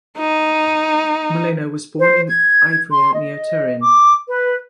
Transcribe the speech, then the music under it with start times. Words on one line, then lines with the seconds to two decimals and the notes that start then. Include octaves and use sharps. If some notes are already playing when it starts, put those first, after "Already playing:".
Molino was born in Ivrea near Turin.
0.18 D#4
1.99 C5
2.28 G#6
2.91 C6
3.14 D#5
3.80 D6
4.29 B4